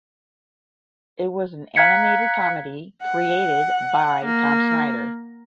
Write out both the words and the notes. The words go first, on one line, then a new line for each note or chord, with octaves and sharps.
It was an animated comedy created by Tom Snyder.
F5 A#5 F#6 G#6 B6 C#7
F#5
A#3